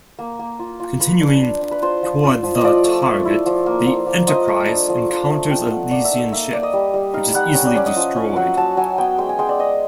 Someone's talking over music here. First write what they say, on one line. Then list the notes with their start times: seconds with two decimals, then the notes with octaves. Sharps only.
Continuing toward the target, the "Enterprise" encounters a Lysian ship, which is easily destroyed.
0.19 A#3
0.39 A#3
0.59 F4
0.80 F4
1.00 F4 B4
1.21 D4
1.41 D4
1.62 D4
1.71 B4
1.82 F4 C5
2.03 F3
2.23 F4
2.43 F3
2.55 D#5
2.64 F3 D5
2.84 A3
3.05 A3
3.25 E4
3.46 F3
3.66 A#3
3.87 F3
4.07 F3
4.27 F3 D#5
4.48 A3
4.68 D4 F5
4.89 F3
5.10 F4
5.30 A3
5.50 A3 G5
5.71 A3 F#5
5.91 A#3 D5
6.05 E5
6.12 D#4
6.18 E5
6.32 A#3 E5
6.53 A#3 D5
6.63 D#5
6.73 G3
6.94 G3
7.14 D#4 F5
7.34 G3 F#5
7.55 C#4 F#5
7.65 D5
7.75 C#4 D5
7.86 D#5
7.96 F3
8.16 C#4
8.36 F#3 F#5
8.57 F#3 A5
8.77 F#3 G#5
8.98 B3 G5
9.18 G#3 G5
9.29 G#5
9.39 G#3 G5
9.49 D5
9.59 G#3 D#5